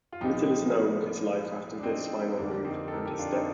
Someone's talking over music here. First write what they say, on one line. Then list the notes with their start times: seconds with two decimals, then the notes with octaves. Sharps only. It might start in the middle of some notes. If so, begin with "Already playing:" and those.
Little is known of his life after this final move, and his death.
0.12 F4
0.21 C2 A#2 F3 D#4 G4
1.78 D4
1.83 C4 D#4
2.37 F2 D3 F3 A#3 D4
2.65 C4 D#4
2.88 A4
2.92 G4 A#4
3.05 D#4 G4
3.19 D4 F4
3.32 C4 D#4